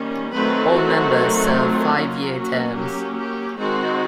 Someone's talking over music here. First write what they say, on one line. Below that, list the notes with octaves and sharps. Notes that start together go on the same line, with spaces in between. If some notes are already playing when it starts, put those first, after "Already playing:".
All members serve five-year terms.
Already playing: D#3 G3 A#3 C#4
D#3 F#3 A3 C4 B4
F#4
F4
F#3 A#3 C#4
F#4
G4
G4
D#3 G#3 C4 F#4